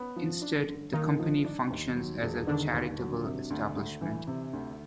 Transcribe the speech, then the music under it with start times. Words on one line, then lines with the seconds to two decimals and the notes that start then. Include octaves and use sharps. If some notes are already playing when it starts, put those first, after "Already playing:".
Instead, the Company functions as a charitable establishment.
Already playing: B3 C#4
0.16 F3
0.42 D4
0.68 D3
0.93 D#3 A#3 D#4
1.19 F3
1.45 D4
1.70 D#2
1.96 F#3
2.22 E1
2.47 D3 D#3 D4
2.73 D#2
2.99 F#3
3.24 C3
3.50 D2
3.76 D2
4.01 E3
4.27 C3
4.53 D2